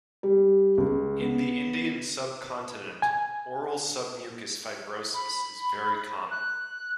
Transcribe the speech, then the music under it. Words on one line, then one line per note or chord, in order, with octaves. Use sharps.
In the Indian subcontinent oral submucous fibrosis is very common.
G3
C#2
B3
G#5
B5
F#6